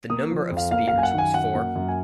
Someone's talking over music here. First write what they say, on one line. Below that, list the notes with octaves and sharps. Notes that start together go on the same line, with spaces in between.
The number of spears was four.
A#3 D#6
F3
F2
F5
A#3 F5
F#2 F5
G#5
F#5
D#3 G#5
F#2 F#5
A#3
F#2
G#5